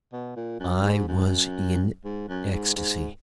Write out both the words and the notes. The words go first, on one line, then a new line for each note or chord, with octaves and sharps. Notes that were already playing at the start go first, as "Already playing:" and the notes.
I was in ecstacy.
B2
A#2
F#2
G#2
F#2
G#2
F#2
G#2
G#2